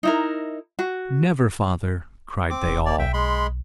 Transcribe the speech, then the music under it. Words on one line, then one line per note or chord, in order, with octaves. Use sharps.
"Never, father!" cried they all.
D#4 E4 A#4
F#4
C4 D6
D#1
A#3 D5
B1 E5 G5
G#3 B5 C6